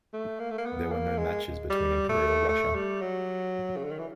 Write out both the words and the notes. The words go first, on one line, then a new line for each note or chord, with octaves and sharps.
There were no matches between Imperial Russia.
A3
A#3
A3
A#3
B3
A#3
G#3
G3
A3
A3
G3
F#3
C#3
D3
D#3
E3